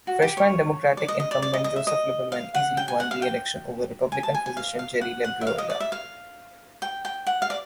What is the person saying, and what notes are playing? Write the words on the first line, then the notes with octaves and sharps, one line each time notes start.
Freshman Democratic incumbent Joseph Lieberman easily won reelection over Republican physician Jerry Labriola.
F#4
G4
C#5
D5
D#5
D#5
D5
D5
D#5
D#5
E5
D#5
F5
F#5
G5
G#5
F#5
F5
G5
G#5
A5
G#5
G#5
F5
F5
F#5
F#5
E5
F5
D#5
D5
E5
F5
G5
G5
F#5
F5
D5